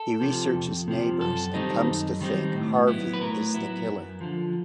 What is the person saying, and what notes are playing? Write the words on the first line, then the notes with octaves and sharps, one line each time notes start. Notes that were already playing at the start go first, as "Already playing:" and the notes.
He researches neighbors and comes to think Harvey is the killer.
Already playing: A4
C3 F3
F2
C3 F3
F#2 A4
D#3 G3 C4 D#4
F#2
D#3 G3 C4 D#4
A2
F#3 B3 E4
B4
A2 A#4
F#3 B3 E4
F#2
D3 F3